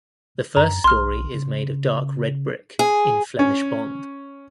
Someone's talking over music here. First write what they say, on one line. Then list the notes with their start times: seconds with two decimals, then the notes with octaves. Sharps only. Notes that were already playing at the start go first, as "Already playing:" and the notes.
The first story is made of dark red brick in Flemish bond.
0.57 F#2 A#5
0.84 B1 C6 F6
1.34 C#3
2.79 G#4
3.39 C#4